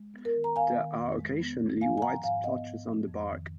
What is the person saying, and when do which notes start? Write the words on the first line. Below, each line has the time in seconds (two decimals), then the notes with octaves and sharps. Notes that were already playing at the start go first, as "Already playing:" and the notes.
There are occasionally white splotches on the bark.
Already playing: G#3
0.14 B3
0.25 A#4
0.35 D#3
0.44 A#5
0.56 B3 F5 G#5
0.77 D#3
0.98 F2
1.19 G#3
1.40 B3
1.60 D#3
1.81 G#2 F5 G#5
1.98 G#5
2.02 F3 F#5 A#5
2.24 G#2 F5 G#5
2.44 B3 D#5 F#5
2.65 G#2
2.86 F3
3.08 F2
3.28 D#3